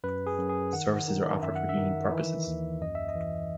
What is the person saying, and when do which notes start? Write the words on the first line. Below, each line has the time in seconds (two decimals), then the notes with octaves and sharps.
Services are offered for healing purposes.
0.04 F#2 B4
0.27 G#4
0.38 F#2
0.49 G#4
0.73 D#3 F#5
1.08 D#3
1.43 F#2 E5
1.56 F#5
1.69 E5
1.77 D#3
2.12 E3
2.47 D#2
2.81 F#2 D#5
2.95 E5
3.09 D#5
3.15 E3